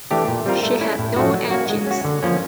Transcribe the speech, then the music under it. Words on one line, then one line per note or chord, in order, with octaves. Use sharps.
She had no engines.
E3 A3 D4 G4
A#2
G3 C4 F4 A#4
A3
C#4 E4
A2
F3 A3 D4 F#4
F#3
A#3 C#4 F#4
G#3
C#4 F#4
D3
F3 A#3 C#4